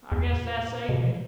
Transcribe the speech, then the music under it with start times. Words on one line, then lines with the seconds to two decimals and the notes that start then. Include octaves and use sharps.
I guess that saved me.
0.12 E2
0.32 A#2
0.57 A2
0.66 A#2
0.75 B2
0.89 B2
1.04 F3